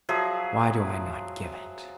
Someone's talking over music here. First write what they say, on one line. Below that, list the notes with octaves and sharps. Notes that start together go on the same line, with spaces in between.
Why do I not give it?
F3 F#3 G#4 E5